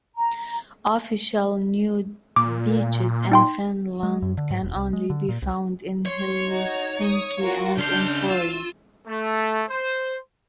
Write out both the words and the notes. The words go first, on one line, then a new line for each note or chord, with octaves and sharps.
Official nude beaches in Finland can only be found in Helsinki and in Pori.
A#5
A#2 D6
D#4 G5 C6
G#3
F#2
D3
G#2
E1
C2
G#3
D3
A#2
C2
C#5 C6
D#4 F#4
D#6
F4 F#4 A#4
C#3 D4 C6 F6 G6
F4 E6
A3
C5